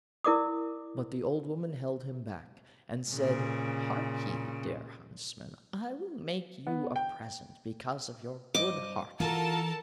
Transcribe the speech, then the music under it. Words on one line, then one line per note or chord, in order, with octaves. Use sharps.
But the Old Woman held him back, and said: 'Hark ye, dear Huntsman, I will make you a present because of your good heart.
E4 A#4 D5 D6 D#6
A#2 C#3
B3
G5
G2 C5 D#5 D6
E3 F4 F#4 A4 A#4 A5